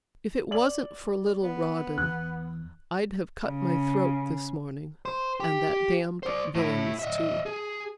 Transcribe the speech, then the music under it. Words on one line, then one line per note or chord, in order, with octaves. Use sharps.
"If it wasn't for little Rawdon I'd have cut my throat this morning--and that damned villain's too."
D5 F#7
B3
E2 F#6
C#3
C5
G4
C5 D5
A2 E4
D#5 E5
G#4